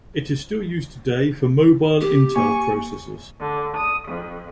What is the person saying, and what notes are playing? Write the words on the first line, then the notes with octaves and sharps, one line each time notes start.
It is still used today for mobile Intel processors.
G4
A#3 G#5 C#6
D3
D#6
F2